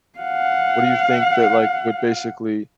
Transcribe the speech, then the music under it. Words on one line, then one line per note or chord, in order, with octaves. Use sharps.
What do you think that, like, would basically
F5 F#5